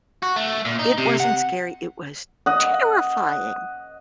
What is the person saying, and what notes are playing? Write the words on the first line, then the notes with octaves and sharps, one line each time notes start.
It wasn't scary, it was terrifying.
F#4
A3
A#2
D#4
C3
F#5
D#5 F#5